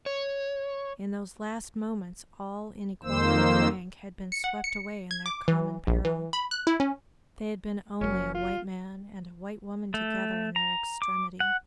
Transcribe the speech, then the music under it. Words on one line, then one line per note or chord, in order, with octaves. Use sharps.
In those last moments all inequality of rank had been swept away in their common peril--they had been only a white man and a white woman together in their extremity.
C#5
F2 D#3 A#3 C5 E6
C#7
F#5
C#7
G#6
D6
E3
A#1
E3
B5
F#6
E4
C#4
F#1 F#2 C#4
F4
A3
A#5
D6
F#5